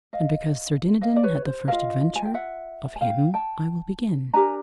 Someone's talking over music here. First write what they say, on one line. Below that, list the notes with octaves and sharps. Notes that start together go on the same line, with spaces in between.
And because Sir Dinadan had the first adventure of him I will begin.
D#5 F5
D#5 F5
D5
B4 C#5
C5
F4 A#4 D#5 F5
G#5
G5
E5 F#5
G#5
F5 G5
G5 A5
D4 G4 A#4 G#5 A#5